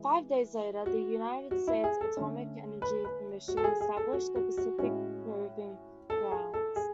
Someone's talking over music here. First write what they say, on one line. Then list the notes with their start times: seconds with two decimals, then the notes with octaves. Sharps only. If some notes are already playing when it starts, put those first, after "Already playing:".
Five days later, the United States Atomic Energy Commission established the Pacific Proving Grounds.
Already playing: E3 G#3
0.86 F#4
1.51 F#4
1.67 E4
1.84 G#4
2.01 A4
2.17 D3 A3 C#4
2.82 B4
3.05 B4
3.48 F#4
3.57 A4
3.64 G#4
3.81 G#4
3.97 A4
4.13 F#4
4.36 F#4
4.57 F#4
4.78 A2 G#3 C#4 F#4
6.10 A4
6.31 G#4
6.54 A4
6.76 G#4